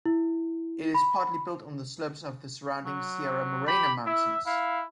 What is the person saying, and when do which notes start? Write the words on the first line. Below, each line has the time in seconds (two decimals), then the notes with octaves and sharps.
It is partly built on the slopes of the surrounding Sierra Morena mountains.
0.05 E4
0.95 B5
2.84 F#3
3.67 G4 B5
4.06 E4 E5
4.46 E4 F5